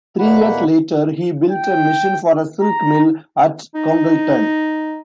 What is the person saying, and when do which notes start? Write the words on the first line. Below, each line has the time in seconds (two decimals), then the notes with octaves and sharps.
Three years later he built a machine for a silk mill at Congleton.
0.19 E2 B2 A#3 F#5 B5
1.50 G5
2.61 A#5
3.75 D#4